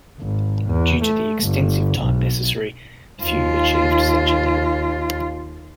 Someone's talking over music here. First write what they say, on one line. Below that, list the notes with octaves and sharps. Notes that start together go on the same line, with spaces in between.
Due to the extensive time necessary, few achieved such a level.
G#1
E2
A3
G1
B1
D#2 F4